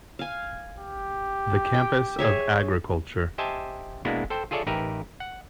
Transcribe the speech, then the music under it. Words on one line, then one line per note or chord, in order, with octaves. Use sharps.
The campus of agriculture.
F5 G#5
G4
G5
G#4 C#5 E5
G4 C5 D#5 E5 G#5 A5
B2 G#3 A#3 B3 D4 E4
A4 C5 G5
F4 G#4 A4 C#5 D5 E5
A1 D#4 G4 A#4 B4 E5
F#5